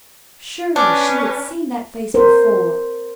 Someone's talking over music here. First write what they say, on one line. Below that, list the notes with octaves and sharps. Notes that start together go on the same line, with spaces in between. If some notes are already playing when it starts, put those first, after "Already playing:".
Surely she had seen that face before!
C#4 D4 B4
A#4 C5